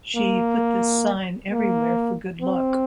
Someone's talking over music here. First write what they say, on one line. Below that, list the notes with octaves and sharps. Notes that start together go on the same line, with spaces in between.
She put this sign everywhere for good luck.
A#3
A#3
C4